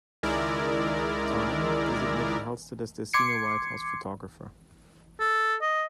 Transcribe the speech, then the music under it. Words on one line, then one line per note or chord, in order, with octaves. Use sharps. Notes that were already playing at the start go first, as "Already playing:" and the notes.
"Time" designated Halstead as their Senior White House Photographer.
C#2 D#3 G#3 E4 A#4 D5
C6 D6 G#6 C7 C#7
A4
D#5